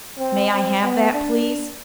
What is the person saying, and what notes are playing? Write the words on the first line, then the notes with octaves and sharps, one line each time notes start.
"May I have that please?"
C4
C4
B3
D4